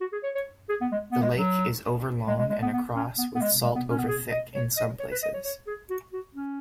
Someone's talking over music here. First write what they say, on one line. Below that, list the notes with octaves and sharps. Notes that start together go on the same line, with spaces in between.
The lake is over long and across with salt over thick in some places.
F#4
G#4
C#5
C#5
G#4
B3
G#3
B3
G#3
F#3
G#3
G#3
G#3
B3
B3
C#4
B3
B3
G#3
G#3
B3
C#4
B3
G#4
D#5
C#5
D#5
C#5
B4
D#5
C#5
C#5
G#4
F#4
F#4
C#4